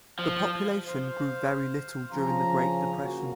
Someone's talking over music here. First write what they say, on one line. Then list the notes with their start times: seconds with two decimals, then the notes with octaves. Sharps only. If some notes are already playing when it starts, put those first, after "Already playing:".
The population grew very little during the Great Depression.
0.19 F3
0.86 C5 F5
2.12 C#3 F3 C#4 A#5
3.03 A#3 F#4